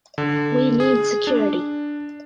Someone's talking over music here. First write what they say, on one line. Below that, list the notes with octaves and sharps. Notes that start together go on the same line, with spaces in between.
We need security.
D3
G#4
D4